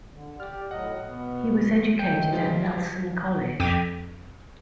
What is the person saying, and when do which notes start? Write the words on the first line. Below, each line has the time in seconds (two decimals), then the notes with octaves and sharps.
He was educated at Nelson College.
0.13 D3
0.40 G4 D5 F6
0.71 A2 F#3 D#5 F#5
1.06 B2 B3
1.99 D#3 F#3 A3 G5
2.33 F3 G3 G#3 F4
3.60 F2 G5 D6 D#7